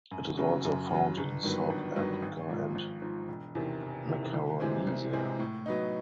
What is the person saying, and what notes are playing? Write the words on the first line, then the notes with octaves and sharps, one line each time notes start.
It is also found in South Africa and Macaronesia.
F#2
C#3 F#3
F#2
C#3 F#3
G1
G2 D#3 F#3 B3
G1
G2 D#3 F#3 B3
G#1
G#2 F3
G#1
G#2 F3
E1
E2 C3 D#3
E1
E2 C3 D#3
C2
C3 E3 G#3 C4
C2
C3 E3 G#3 C4
A2
F#3 B3 D#4